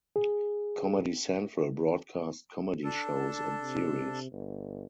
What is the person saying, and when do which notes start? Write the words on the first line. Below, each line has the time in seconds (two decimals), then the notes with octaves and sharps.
Comedy Central broadcast comedy shows and series.
0.16 G#4
2.84 D4 A4
3.62 C3
4.32 G1